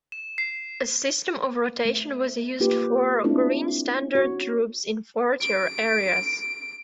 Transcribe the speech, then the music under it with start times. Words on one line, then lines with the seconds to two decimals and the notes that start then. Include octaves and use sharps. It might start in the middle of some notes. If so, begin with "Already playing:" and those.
A system of rotation was used for Green Standard troops in frontier areas.
0.12 E7
0.38 C7
1.85 A3
2.60 A#3 F4 G4 B4
3.24 A3 C4 D4 E4 F4
4.15 F#4 C#5
5.41 D7